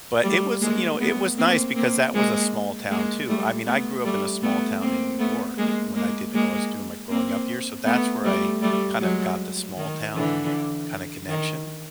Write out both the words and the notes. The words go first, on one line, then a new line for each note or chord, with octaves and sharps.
but it was, you know, it was nice because that was a small town, too. I mean, I grew up in a small town in New York, when I did oh, I was doing my growing up years, so that's where I kind of got the small town kinda connection.
G3 A3
G#3 A#3
A3 B3
A#3 C4
A#3 C4
G#3 A#3
G#3 A#3
G3 A3
A3 B3
G3 A3
A3 B3
A#3 C4
A3 B3
G#3 A#3
G#3 A#3
G#3 A#3
A#3 C4
A3 B3
G3 A3
G3 A3
F#3 G#3
D#3
D3 E3
D#3